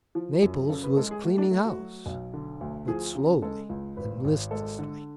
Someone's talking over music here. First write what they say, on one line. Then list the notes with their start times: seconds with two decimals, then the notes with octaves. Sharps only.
Naples was cleaning house, but slowly and listlessly.
0.15 F3
0.42 F#2
0.69 C#3 A4
0.84 B4
0.97 G#3 A4
1.11 G#4
1.24 A3 F#4
1.38 D4
1.51 A3
1.65 F#4
1.79 F#3
2.06 B1
2.34 D3
2.61 D2
2.88 F3 G#4
3.15 C#3
3.42 G#3 A4
3.69 C#2
3.97 G#1 B4
4.24 G#1
4.51 G#3 A4
4.79 D3